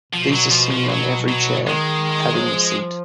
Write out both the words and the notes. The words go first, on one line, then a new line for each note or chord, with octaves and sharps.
These are seen on every chair, padding the seat.
B2 F3
F#3
F3
F3
F#3
F#3
D#3 G#3
F#3
F3